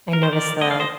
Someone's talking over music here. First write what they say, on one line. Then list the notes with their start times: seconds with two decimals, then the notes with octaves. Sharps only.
I noticed the
0.13 A#4
0.23 C5
0.33 F3 A#4 D5
0.61 A3 C4 D#5
0.71 F5
0.80 C5 D#5